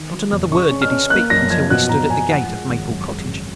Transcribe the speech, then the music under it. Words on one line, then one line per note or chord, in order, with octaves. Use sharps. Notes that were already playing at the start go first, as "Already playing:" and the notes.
Not another word did he speak, until we stood at the gate of Maple Cottage.
Already playing: D#3
F#3
F1
C#3 C#6
C#4
F6
C#4
A#3 F#6
F#2 A#6
F3 G#6
B2 F#6
B2 A#5
B2 G#5
F3 F#5
G#3
G#1
F#2
G#3
C#3